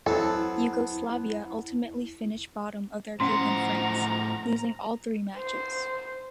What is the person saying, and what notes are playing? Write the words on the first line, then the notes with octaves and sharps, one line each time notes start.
Yugoslavia ultimately finished bottom of their group in France, losing all three matches.
E2 F#3 B3 C4 E4 A4 A5
A2 F3 C#4 F#5 A#5 C6
C5